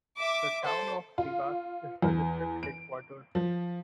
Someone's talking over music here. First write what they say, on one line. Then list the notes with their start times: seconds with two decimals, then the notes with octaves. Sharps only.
The town of Dewas is the district headquarters.
0.17 E5 D6
0.63 A4 C5
1.18 F4
2.02 E2
2.63 D7
3.35 F3